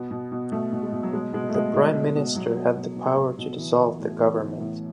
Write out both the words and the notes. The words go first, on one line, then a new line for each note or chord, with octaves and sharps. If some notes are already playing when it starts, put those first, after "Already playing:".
The Prime Minister had the power to dissolve the government.
Already playing: B2 B3
B2
B2
B2 A3
B2
G#3
B2
F#3
B2 G#3
B2 G#3
A3
B2 G#3
B2 G#3
B2
G#3
B2
B2 F#3
B2
B2
B2
B2
B2
E3
E3
A2
E3
E3
A2